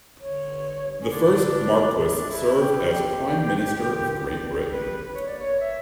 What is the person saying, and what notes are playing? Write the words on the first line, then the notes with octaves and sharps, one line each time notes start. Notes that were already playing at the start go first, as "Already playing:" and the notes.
The first Marquess served as Prime Minister of Great Britain.
D3 C#5
G2
G2
C#4
D3 D4
G2
G2
D3 D4
E4
D4
G2 E4
G2 G4
A#3 G4
G2
G2
D3
G2
G2
G2 B4
G2
C#5
A#3 D5
C#5
E5